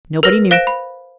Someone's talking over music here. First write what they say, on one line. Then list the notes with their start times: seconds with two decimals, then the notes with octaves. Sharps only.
Nobody knew.
0.23 A#4 B4 F6 A#6
0.51 C5 F5 F#6 A#6 D7 E7
0.67 B5